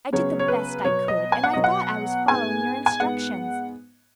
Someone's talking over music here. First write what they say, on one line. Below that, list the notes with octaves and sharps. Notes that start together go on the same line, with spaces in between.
I did the best I could and I thought I was following your instructions.
C#3 F#3 B3 C#5
C#5
B4
B2 F#3 B3 C#5
D#5
G#5
F#5
B2 F#3 B3 D#5
F#5
G#2 G#3 B3 G#5
G#5
G#2 G#3 B3 F#5